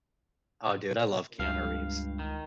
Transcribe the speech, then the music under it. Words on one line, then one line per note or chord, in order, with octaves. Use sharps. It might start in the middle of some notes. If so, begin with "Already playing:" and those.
Oh, dude, I love Keanu Reeves.
C#2 G2 F5
D#3